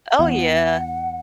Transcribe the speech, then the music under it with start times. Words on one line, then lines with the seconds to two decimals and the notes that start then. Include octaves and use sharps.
Oh, yeah.
0.19 E2 F#5